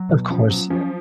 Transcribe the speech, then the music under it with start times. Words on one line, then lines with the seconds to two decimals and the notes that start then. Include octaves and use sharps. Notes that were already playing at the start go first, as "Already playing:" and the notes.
Of course, yea
Already playing: F#3
0.09 B2
0.30 F3 C#4
0.50 F#3
0.70 F3 C#4